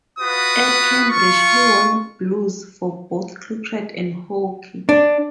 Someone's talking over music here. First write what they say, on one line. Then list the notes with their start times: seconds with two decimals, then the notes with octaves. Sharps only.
At Cambridge he won Blues for both cricket and hockey.
0.19 F4 F#4 B4 D#6
1.10 F4 C#6
4.89 D4